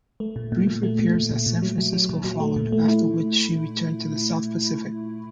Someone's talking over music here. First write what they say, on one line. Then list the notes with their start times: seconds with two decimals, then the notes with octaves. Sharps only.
Brief repairs at San Francisco followed, after which she returned to the South Pacific.
0.20 A3
0.36 A#2
0.52 A#2
0.67 A#2
0.83 A3
0.99 A#2
1.14 A#2
1.31 A#2
1.46 A#2
1.62 F#3
1.78 F#3
1.93 F#3
2.09 A#2
2.24 F#3
2.40 A3
2.56 A#2
2.72 A3
2.88 E4